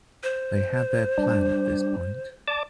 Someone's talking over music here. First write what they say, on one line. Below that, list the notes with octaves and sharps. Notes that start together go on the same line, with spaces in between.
They had their plan, at this point.
C5
G3 D4
D5 A5 D6